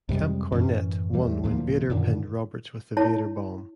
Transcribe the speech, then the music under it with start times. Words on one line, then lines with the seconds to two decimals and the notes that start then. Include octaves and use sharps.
Camp Cornette won when Vader pinned Roberts with the Vader Bomb.
0.09 F2 C3 G3 G#3
0.52 F#2 A2 E3 C#4
1.13 E2 E3 G3 A3
1.44 D2 A2 F3 A#3
1.90 F#2 A#2 D3 D#3
2.97 E4 C#5 A5